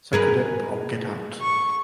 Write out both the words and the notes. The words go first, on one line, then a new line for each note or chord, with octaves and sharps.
Suck it up, or get out.
G#4 A#4 B4
C#6